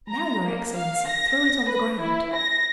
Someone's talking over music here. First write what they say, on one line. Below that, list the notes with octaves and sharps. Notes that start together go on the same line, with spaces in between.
'Now, your excellency, throw it on the ground.'
A#5
A#3
F5
A#6
B4
E4
A#6